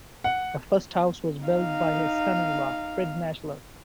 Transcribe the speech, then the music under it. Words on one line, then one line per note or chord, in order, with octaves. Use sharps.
The first house was built by his son-in-law, Fred Maechler.
F#5
D#4 F5